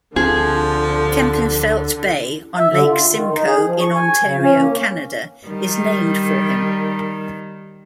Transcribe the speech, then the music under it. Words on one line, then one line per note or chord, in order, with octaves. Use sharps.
Kempenfelt Bay on Lake Simcoe in Ontario, Canada, is named for him.
D2 D3 F3 C4 D4 G#4
E5
D3
F4
D#3
D#4
G#4
F3
C#6
G#5
C#3
C#4
A#3
D#3 G3